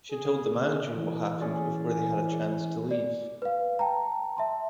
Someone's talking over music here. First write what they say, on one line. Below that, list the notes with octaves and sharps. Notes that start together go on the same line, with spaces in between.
She told the manager what happened before they had a chance to leave.
G#4
E3
C#4 G#4 D5
D5
B4 F5
G5 A5 A#5
E5 A5 C6